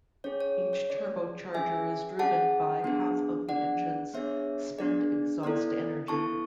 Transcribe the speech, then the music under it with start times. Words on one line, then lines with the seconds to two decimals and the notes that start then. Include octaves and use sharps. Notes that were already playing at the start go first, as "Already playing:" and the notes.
Each turbocharger is driven by half of the engine's spent exhaust energy.
0.24 C#4 G#4 C#5
0.40 C#5
0.73 C#5
0.89 C#4 G#4 D5
1.54 C#4 G#4 E5 G#5
2.19 C#4 G#4 F#5 A5
2.84 B3 D4 G#4
3.49 B3 D4 G#4 D5 F#5
4.14 B3 D4 G#4 C#5 E5
4.78 B3 D4 G#4 D5
5.43 B3 E4 A4 D5
6.08 B3 E4 A4 A5 C#6